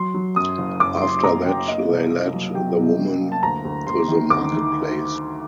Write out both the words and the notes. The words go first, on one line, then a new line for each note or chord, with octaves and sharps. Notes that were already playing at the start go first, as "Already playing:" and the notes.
After that, they led the woman to the marketplace.
Already playing: F#3 C6
F#3
F#2 D#6
F#1
F#2 D6
F#1 C6
F#1 A#5
F#1 G5
A#3 D#5
C2
A#3
F#3
F#3 G5
C2
F#3
A#3
A5
D2 A#5
D2
D2 C6
D#3
D2 D6
D#3